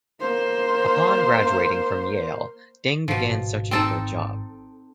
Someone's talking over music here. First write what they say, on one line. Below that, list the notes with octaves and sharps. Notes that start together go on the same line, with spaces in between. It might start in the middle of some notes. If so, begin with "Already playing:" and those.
Upon graduation from Yale, Deng began searching for a job.
A#3 C5
G#1 B2 F3
C4 D#4 A4